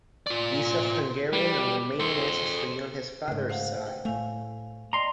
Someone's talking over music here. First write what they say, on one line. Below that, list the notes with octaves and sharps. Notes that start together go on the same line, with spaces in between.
He is of Hungarian and Romanian ancestry on his father's side.
F4 D5
G3
A4 C5
G#2 C#3 A3
C5 F5 F#5
G5
A2 A3 F5 G#5
D5 D#5 G5 A#5 C6